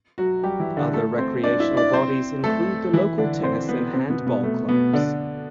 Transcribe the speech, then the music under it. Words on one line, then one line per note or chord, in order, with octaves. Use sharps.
Other recreational bodies include the local tennis and handball clubs.
F#3 F#4
G3 G4
E3 E4
D3 D4
A3 A4
C4 C5
D4 D5
E4 E5
D4 D5
C4 C5
A3 A4
E3 E4
D3 D4
C4 C5
B3 B4
C3 C4
B2 B3
B2 B3
A3
B2 B3
D3 D4